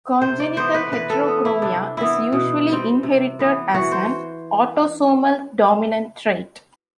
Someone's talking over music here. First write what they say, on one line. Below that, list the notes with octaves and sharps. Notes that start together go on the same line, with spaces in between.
Congenital heterochromia is usually inherited as an autosomal dominant trait.
C3 C5
D5
E3 B3 C5
B4
E3 B4
A4
B3
E4
C3 D4
E3 B3 E4
B2
G3 C4
C3
E3 B3
E3 F#4
C5